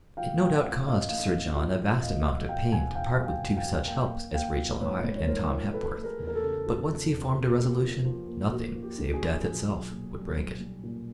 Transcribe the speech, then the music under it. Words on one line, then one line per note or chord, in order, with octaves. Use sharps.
It no doubt caused Sir John a vast amount of pain to part with two such helps as Rachel Hyde and Tom Hepworth; but once he formed a resolution, nothing save death itself would break it.
F3 F5 G5
A2 F5 G5
A1 E5 F#5
A1 D#5 F5
A2 D#5 F5
A1
F3 E5 F#5
F3
E2 D#5 F5
F#3 E5 F#5
B2 F5 G5
E2 F#5 G#5
E2 F5 G5
F#3
F5 G5
E2
F5 G5
F#3
A#3 F5 G5
A#3
A#3 F5 G5
F3
G#2 B4 C#5
G#2
C#5
G#2 A#4 C5
F3
F3 A4 B4
A3
G#4 A#4
E2
A#4
G4 A4
C#3
F3
C#3
E2
C#3
A#3 G4
F3
F3
A#3
A#3 F#4
F3
G4
D3
F#4 G#4
F3
B1
B1
A#2
G3
B1
G3
A#2